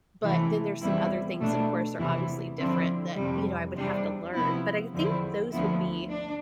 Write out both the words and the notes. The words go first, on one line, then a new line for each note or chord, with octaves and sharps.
But then there's some other things that, of course, are obviously different that, you know, I would have to learn. But I think those would be
C3 E3 A3 E4
E2 C3 G3 C4 E4
B2 A3 D4
E2 C3 E3 B3 E4
D3 F3 C4 E4
F2 C3 G3
E2 C3 G3 D4
C3 F3 B3 E4
E2 D3 F3 C4 E4
D2 D3 F3 B3 E4
D4